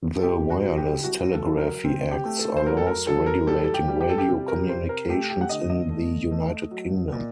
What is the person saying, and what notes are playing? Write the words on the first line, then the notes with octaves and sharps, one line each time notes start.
The Wireless Telegraphy Acts are laws regulating radio communications in the United Kingdom.
A4
C3 G4
F#4
F#3
G4
C2 F#4
A4
F#3
A#4
C4
G4
A3
A4
C5
F#3 A#4
A4
A#4
F#3 A4
A#4
G3 A4
A4
G4
G3
G4
A4
G4
C3
A#4
C3 C5
A#4
A3 G4
G4
F#5
D3 D#5
D#5
A3
A3
F#3
A#2